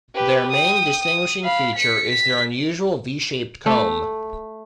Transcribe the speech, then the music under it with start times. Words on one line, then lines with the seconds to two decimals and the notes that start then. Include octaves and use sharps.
Their main distinguishing feature is their unusual V-shaped comb.
0.15 G4 B4
0.51 G5 D#6
1.03 D#6
1.43 F5 B5
1.75 B6 C#7
2.08 B6
3.66 A3